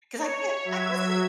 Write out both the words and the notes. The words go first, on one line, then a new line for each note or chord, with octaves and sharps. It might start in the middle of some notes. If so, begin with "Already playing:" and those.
'Cause I get I guess it's
C#5
F#3 E5 G#6